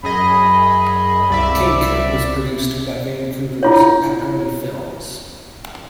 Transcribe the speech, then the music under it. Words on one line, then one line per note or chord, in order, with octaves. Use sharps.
"KinK" was produced by Vancouver's Paperny Films.
F#2 G#4 D#5 B5
C2 D5 E5
E4 F4 C#5